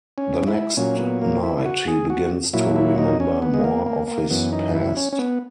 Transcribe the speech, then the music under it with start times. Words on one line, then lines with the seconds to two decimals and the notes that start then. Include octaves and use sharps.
The next night he begins to remember more of his past.
0.18 C#4
0.48 E4
0.77 A#2 F#3 C#4
0.99 B3
1.22 A#3
1.43 E4
1.58 E4
1.66 F#4
1.88 G#4
2.10 F#4
2.53 A#2 F#3 E4
2.76 E4
2.98 D#4
3.20 C#4
3.42 B3
3.54 G#3
3.64 A#3
3.86 A#3
4.08 A#3
4.30 F#2 E3 B3
4.52 D#4
4.75 E4
4.96 C#4
5.13 C#4
5.19 B3